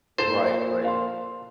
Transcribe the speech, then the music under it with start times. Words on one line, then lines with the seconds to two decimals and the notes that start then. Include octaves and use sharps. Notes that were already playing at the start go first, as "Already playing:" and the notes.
Right, right.
0.18 A#2 F4 A4 C5 A6 E7
0.84 F5 C6